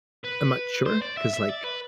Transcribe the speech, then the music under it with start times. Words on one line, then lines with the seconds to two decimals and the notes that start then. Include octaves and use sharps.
I'm not sure 'cause, like
0.24 B4
0.86 C5
1.02 D5
1.17 E5
1.34 E5
1.49 D5
1.64 B4